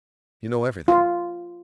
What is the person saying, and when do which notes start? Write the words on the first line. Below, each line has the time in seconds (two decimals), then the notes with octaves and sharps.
You know everything.
0.88 F4